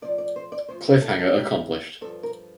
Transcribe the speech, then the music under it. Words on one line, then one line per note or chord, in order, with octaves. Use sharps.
Cliffhanger accomplished.
A2 F3 D5
D5
C5
D5
A2 F3 C5
G4
A4
A4
D#2 D#3 G4
G2 F3 A4
A#4